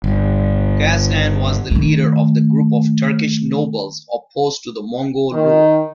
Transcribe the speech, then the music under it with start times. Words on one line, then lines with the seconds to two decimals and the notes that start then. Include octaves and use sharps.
Qazghan was the leader of the group of Turkish nobles opposed to Mongol rule.
0.04 G1
1.71 D#3 A3
5.32 D#3